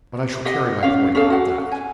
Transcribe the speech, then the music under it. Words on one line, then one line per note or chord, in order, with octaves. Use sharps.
But I shall carry my point about that.
G4 D#5 F#5
C#4 F5
C#4 G#4 A4 F5
F#4 F#5
G#5